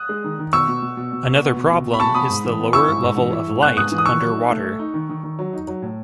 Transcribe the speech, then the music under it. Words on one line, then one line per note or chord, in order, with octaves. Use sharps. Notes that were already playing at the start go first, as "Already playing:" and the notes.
Another problem is the lower level of light underwater.
Already playing: D#6 F#6
G#3
D#3
D#3
B2 C#6 E6
B2
B2
B2
B2
B3
B3
B2
B2
B2
B5
B2 A5 C#6
B2 B5 D#6
G#2
E3
B3
E4 C#6 E6
G#2
G#2
E3
E4
G#2
B3 F#6
G#2 D#6 F#6
E3
D#6
D#3 C#6 E6
F#3
D#4
A3
A3
D#4
D#3
D#3
D#3
F#3
D#4
F#3
A2